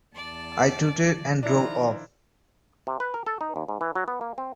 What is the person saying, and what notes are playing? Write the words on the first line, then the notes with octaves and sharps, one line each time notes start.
I tooted and drove off.
E2 D5 A5
D#3 F3 D4 E4 A#5
C3
B4
A#4
A4
D#4
D#2
G#2
E3
F#3
B3
A#3
C4